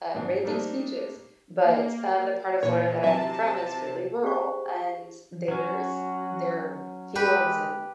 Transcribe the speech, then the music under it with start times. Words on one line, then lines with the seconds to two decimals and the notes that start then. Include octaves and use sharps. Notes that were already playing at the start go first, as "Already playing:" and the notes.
everybody thinks "beaches," but, um, the part of Florida that I'm from is really rural, and there's there fields and
0.15 G#2 F#3 C4 D4
0.44 G3 A3 A#3 C4 D4 D#4
1.64 A#3
2.63 A#2 E3 C#5
3.03 C3 F#3 E5 A5
4.24 G4 G#4 C5 F5 C#6
5.48 F#3 C#4 F#4
7.16 G#3 G4 B4